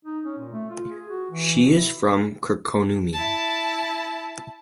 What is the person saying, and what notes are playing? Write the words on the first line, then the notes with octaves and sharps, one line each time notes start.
She is from Kirkkonummi.
D#4
C#4
A#2
A3
F4
G#4
F#4
E3
B2
E4
E4 A5